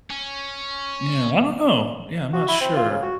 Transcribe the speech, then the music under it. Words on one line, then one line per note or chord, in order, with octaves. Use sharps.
Yeah, I don't know, yeah, I'm not sure,
C#4
F#4
E4
C4
F4
C#3
F#4